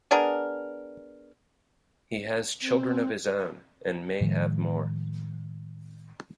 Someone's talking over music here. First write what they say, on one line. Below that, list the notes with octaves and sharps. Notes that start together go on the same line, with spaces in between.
He has children of his own, and may have more.
B3 D4 G#4 A#4
C4
A2 D#3 F3 G#3